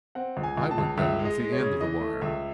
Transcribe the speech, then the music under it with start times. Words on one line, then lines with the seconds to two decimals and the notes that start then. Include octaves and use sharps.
I went down with the end of the wire.
0.15 C4 F#5
0.37 C#2
0.43 G#5
0.57 C#2
0.71 A5
0.78 C#2
0.97 C#2 E5
1.19 G#3
1.25 D#5
1.40 G#3
1.52 C#5
1.60 C#3
1.81 E3 D#5
2.01 A3
2.21 C#2 E5